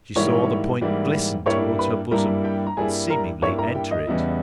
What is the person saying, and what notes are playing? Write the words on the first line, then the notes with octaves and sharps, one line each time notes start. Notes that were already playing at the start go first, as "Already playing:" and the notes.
She saw the point glisten towards her bosom, and seemingly enter it.
G#2 E3 G3 A#3 E4 C#5 C#6
G#2 E3 G3 A#3 E4
G2 G3 A#3 E4 C#5 C#6
B4 B5
G2 G3 A#3 E4 A#4 A#5
G4 G5
A#5
G2 G3 A#3 E4 G#4 G#5
A#4 A#5
G2 G3 A#3 E4 C#5 C#6
A#4 A#5
G4 G5
D#5
E2 C#3 G3 B3 E4